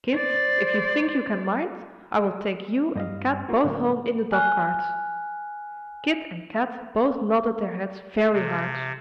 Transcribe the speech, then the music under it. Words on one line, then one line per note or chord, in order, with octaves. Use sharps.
"Kit, if you think you can mind, I will take you and Kat both home in the dog cart." Kit and Kat both nodded their heads very hard.
C5 D5
G2 D#5 F5
A#3 F4 F#4
A2 D3 F#3 A3 A#3
G#5 F6 F#6
C3